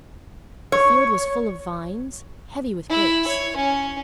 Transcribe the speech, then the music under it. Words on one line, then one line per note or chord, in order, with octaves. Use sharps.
The field was full of vines heavy with grapes.
C#5
E4
C#5
C#4